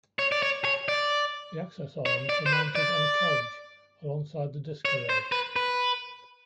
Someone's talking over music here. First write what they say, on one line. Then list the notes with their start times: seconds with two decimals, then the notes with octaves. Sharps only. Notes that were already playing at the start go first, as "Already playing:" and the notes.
The access arms were mounted on a carriage alongside the disk array.
0.19 C#5
0.32 D5
0.43 C#5
0.65 C#5
0.88 D5
2.06 C#5
2.29 D5
2.46 C5
2.53 B4
2.75 D5
4.85 C#5
5.09 C5
5.32 B4
5.56 B4